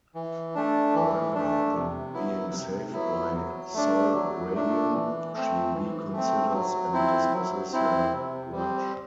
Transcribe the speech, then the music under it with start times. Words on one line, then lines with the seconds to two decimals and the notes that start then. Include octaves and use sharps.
However, upon being saved by Sol Gravion, she reconsiders and dismisses her grudge.
0.15 E3
0.55 A3 D4
0.95 E3
1.34 A3 D4
1.75 C3
2.14 F#3 B3 E4
2.53 C3
2.93 F#3 B3 E4
3.34 F#3
3.74 A3 D4
4.14 F#3
4.54 A3 D4
4.93 E3
5.33 A3 C4
5.73 E3
6.13 A3 C4
6.53 F#3
6.92 C4 E4
7.33 F#3
7.73 C4 E4
8.12 C3
8.52 G3 C4